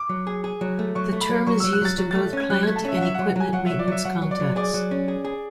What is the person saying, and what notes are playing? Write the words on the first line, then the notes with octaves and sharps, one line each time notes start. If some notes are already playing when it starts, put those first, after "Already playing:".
The term is used in both plant and equipment maintenance contexts.
Already playing: D6
F#3
G#4
G#4
F#3
A3
F#3 C#6
A3
B5
F#3
F#3 C#6
F#3 E6
F#6
F#3 A6
F#3
A3 A6
C#4 G#6
F#3 F#6
A3 G#6
A5
C#4 E5
F#5
F#3 E5
F#5
F#3
F#5
F#3 G#5
F#3 F#5
F#3 E5
D5
F#3 E5
F#3 F#5
F#3
D5
F#3
G#4 D5
F#3
C#4
G#4
G#4